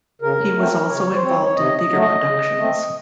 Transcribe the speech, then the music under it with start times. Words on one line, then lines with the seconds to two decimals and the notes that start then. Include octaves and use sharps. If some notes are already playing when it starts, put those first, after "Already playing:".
He was also involved in theater productions.
0.22 C#3 A#4
0.56 F#3 A3 C4
0.89 C#3 C#5
1.15 C5
1.22 F3 C4 C#5
1.46 C#5
1.56 C3 D#5
1.78 D#5
1.90 F#3 A3
2.02 D#5
2.24 C#3
2.58 A3 C4